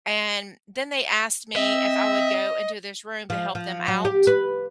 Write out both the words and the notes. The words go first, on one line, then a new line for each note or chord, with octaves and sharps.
and then they asked me if I would go into this room to help them out,
C4 D#5 E5
F3
F3
F#3
G4
B4